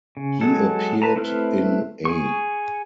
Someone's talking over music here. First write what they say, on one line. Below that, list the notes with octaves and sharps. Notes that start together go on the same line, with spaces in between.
He appeared in A.
C#3
F#3 G#3 A4
B4 A5 A#5
A3 C4 E4 B4 F6
G#4 C#6